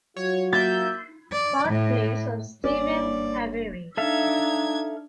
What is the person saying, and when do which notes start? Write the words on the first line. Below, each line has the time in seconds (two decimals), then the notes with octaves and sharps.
Birthplace of Steven Avery.
0.17 F#3 F4 F#4 C#5
0.53 A#3 E5 G6 A6
1.33 D5
1.69 A2
2.64 F#1 G2 A#3 C#4 D5
3.97 D4 D#4 A4 E5 F5 G#6